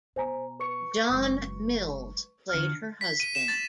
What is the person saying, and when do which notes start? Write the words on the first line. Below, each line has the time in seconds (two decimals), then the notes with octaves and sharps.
John Mills played her husband.
0.16 B2 C5 G#5 A#5
0.60 B4 C#6 C#7
1.09 F#1 G#3
2.49 E2 D3 F6 C#7
3.01 B6
3.20 D#7
3.35 E7
3.48 A6